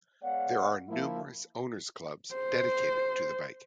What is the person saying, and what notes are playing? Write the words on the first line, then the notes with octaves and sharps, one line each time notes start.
There are numerous owners clubs dedicated to the bike.
G#3 B3 C#5 D5 F5 F#5
F3 A#3 E4
C5